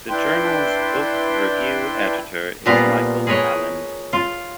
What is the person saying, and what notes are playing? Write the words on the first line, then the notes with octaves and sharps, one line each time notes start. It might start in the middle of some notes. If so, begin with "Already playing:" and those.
The journal's book review editor is Michael Allen.
D4 E4 B4 G5 C6
A#2 F3 G3 B3 F4 A#5
G#4 A#4 B4 C#5 D#5
F4